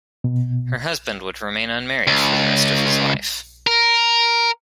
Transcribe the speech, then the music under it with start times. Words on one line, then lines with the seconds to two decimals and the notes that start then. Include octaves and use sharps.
Her husband would remain unmarried for the rest of his life.
0.24 B2
2.07 C#2
3.67 A#4